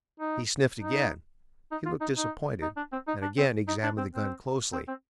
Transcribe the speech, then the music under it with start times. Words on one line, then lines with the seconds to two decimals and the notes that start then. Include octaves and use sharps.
He sniffed again. He looked disappointed, and again examined the gun closely.
0.20 D#4
0.81 D#4
1.71 D#4
1.86 F4
2.01 D#4
2.16 D#4
2.62 D#4
2.77 D4
2.92 C4
3.08 D#4
3.22 D4
3.38 C4
3.68 D#4
3.83 D4
3.98 C4
4.13 C4
4.73 C4
4.88 C4